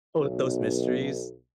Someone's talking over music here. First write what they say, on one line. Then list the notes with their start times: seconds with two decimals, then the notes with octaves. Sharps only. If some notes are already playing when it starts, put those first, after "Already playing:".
all those mysteries.
0.20 B1